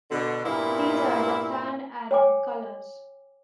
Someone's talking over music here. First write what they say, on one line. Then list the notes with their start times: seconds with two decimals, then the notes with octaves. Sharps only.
These are the Pan-Arab colors.
0.11 B2 D3
0.45 G2 A#2 A#3 B3 E4
2.11 C#5 G5 G#5 D6